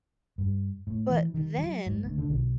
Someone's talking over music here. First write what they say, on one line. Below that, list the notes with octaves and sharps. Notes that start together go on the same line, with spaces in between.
But then
G2
A2
E3
D#3
F#3
G#2
D2
D3
B1